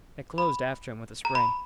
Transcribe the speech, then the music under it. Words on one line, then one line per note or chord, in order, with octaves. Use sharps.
It closed after him with a spring.
B5
A#5
B5